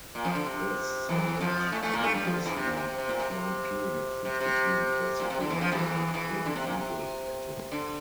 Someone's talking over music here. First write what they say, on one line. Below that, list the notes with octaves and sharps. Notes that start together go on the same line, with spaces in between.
This somewhat-ambiguously-defined period fits between Classical Latin and Medieval Latin.
A#2
F2 F3
D3
C3
E2 E3
F2 F3
A2 A3
A2 A3
A#2 A#3
A2 A3
G2 G3
F2 F3
D3
E2 E3
C3
A#2
C3
C3
C3
A#2
C3
C3
C3
C3
A#2
C3
D3
E2 E3
F2 F3
E2 E3
E2 E3
D3
C3
A#2
C3
D3